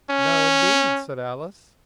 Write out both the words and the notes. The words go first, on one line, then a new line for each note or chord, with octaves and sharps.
'No, indeed,' said Alice.
C#4